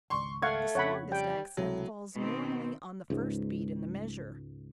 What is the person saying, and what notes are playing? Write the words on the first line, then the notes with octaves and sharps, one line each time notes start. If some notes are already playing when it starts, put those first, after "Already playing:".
The strongest accent falls normally on the first beat in the measure.
G#1 C#2 C6 C#6
A3 F5 F#5 C#6 G#6
F2 C#3 C#5 F#5 B5
G3 G5
C#2 A2 C3 F#3 G#3
B2 D#3 C4
C#2 G#2